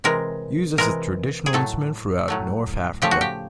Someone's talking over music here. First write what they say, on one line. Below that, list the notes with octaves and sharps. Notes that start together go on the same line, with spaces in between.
Used as a traditional instrument throughout North Africa.
C3 E3 G#3 A#4
C3 E3 G#3 A#4
G#4
A2 F#3 A3 A4
A2 F#3 A3
C#3 F3 A3 G4
F#4
G4